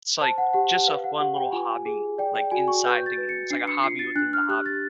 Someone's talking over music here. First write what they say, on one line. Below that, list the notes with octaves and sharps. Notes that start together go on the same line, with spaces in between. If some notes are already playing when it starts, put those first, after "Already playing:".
it's like just a fun little hobby, like, inside the game, it's like a hobby within the hobby,
C5 A5
F#5
G4 F#5
F#5
B4 F5
F#5
G4 F#5
G5
F4 G#5
G#4
D5 G5
G5
F#4 G#5
C#6
B4 G6
A6
B4
C#7
D4 C7
C#7
F4 C7
A6
D4 F#6
F6
G4 F#6
A6